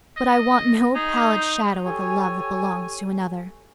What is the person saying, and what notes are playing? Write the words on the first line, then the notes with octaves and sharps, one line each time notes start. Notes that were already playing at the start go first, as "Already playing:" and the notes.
But I want no pallid shadow of the love that belongs to another.
D#5
D#4 G#4
C5
G4 A4 C#5 G#5